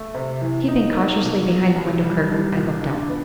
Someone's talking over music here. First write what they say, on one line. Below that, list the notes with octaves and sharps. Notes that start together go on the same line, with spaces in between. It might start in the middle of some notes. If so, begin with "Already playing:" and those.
Keeping cautiously behind the window-curtain, I looked out.
Already playing: A3
C3
E3
D#4
A#3
B2
F#3
C2
G3
C2
A#2
D4
B3